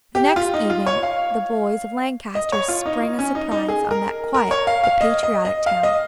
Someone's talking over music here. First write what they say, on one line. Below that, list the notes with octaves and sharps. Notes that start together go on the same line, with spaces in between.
The next evening the boys of Lancaster sprang a surprise on that quiet but patriotic town.
G4
F4
D#4
F4
C#5
F5
D#5
C#5
F4
D#4
D#4
C#4
D#4
D#4
G#4
A#4
A#4
C#5
F5
F5
D#5
D#5
D#5
F5
D#5